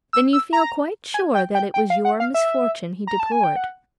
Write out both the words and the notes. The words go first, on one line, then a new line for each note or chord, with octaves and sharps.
"Then you feel quite sure that it was your misfortune he deplored?"
E6
E6
A#5
G#5
G5
G5
G5
F5
F#5
F5
E5
A#5
A5
G#5
G5
F#5